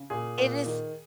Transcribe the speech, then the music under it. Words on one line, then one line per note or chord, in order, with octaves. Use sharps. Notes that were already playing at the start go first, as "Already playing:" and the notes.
It is
Already playing: C#3
A#2 G#4
A#2
D#3